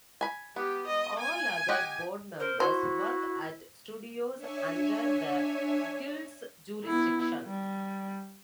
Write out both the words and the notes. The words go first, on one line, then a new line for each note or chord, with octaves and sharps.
All other Board members work at studios under the Guild's jurisdiction.
G#5 B5
B3 G4
D#5
G#5
G4 D#5 F#5
A#4 C5
E4 F#4 C5
D4 C#5 E5 G#5
B3 E4
G3